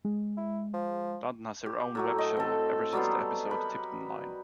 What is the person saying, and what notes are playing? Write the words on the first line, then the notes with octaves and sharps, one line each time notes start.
London has her own web-show, ever since the episode Tiptonline.
G#3
E4
F3
G4
A2 F#3 A3
D#5
C4 A4
F#3 G3 B3 C6
A#4 B4